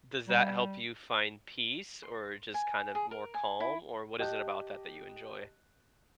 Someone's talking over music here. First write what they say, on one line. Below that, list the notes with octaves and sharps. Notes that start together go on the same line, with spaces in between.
Does that help you find peace or just kind of more calm, or what is it about that that you enjoy?
G3
C6
G#5
G#4
A#4
G#5
E4
G4 D#5 G5 A5 F#6 G6